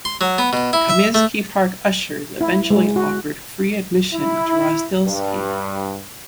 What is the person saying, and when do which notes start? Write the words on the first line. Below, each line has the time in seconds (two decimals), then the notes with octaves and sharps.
Comiskey Park ushers eventually offered free admission to Rozdilsky.
0.05 C6
0.21 F#3
0.38 B3
0.53 B2
0.73 E4
0.90 E5
1.14 A3
2.41 E4
2.70 G#3
2.96 F#4
4.13 E4
5.05 G2